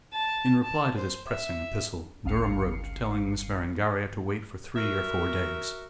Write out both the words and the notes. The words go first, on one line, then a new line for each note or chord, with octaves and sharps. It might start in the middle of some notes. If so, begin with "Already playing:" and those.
In reply to this pressing epistle, Durham wrote, telling Miss Berengaria to wait for three or four days.
A5
A5
C5
E5
G1 C#2 F5 C7 C#7
F#4 A#4 E5